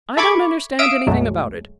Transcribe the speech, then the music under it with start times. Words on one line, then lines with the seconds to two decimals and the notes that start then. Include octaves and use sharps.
I don't understand anything about it.
0.17 A4 E5 B5 C#6 D6 G#6
0.79 E5 F5 D#6 E6 D7
1.07 B1 F#2 F#3 G#3 A3